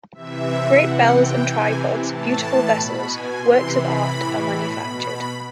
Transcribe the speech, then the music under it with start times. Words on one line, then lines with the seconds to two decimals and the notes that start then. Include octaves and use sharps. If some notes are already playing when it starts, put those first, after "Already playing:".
Great bells and tripods, beautiful vessels, works of art are manufactured.
0.13 C3 E3 E5
0.77 C3 E3 F#5
1.09 G5
1.42 C3 G#5
1.47 E3
2.07 A2 E3 A5
2.71 B2 B5
3.04 G#5
3.35 C3 E3 C6
3.69 B5
4.00 A2 E3
4.33 B5
4.65 B2
4.98 B5